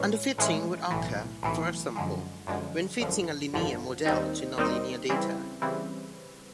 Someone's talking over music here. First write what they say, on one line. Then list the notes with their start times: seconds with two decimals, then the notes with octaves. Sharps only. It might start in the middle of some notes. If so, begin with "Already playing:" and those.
Underfitting would occur, for example, when fitting a linear model to non-linear data.
Already playing: A2 E3 G#3 C#4
0.38 A2 E3 G#3 C#4
0.90 B1 A2 E3
1.43 B1 A2 E3
1.96 F#2 D3 F3 G#3
2.47 F#2 D3 F3 G#3
3.00 G#1 F#2 D3 F3
3.53 G#1 F#2 D3 F3
4.05 D#2 D#3 G3 C4 D#4
4.57 D#2 D#3 G3 C4 D#4
5.09 C#3 E3 G3 C4 E4
5.62 C#3 E3 G3 C4 E4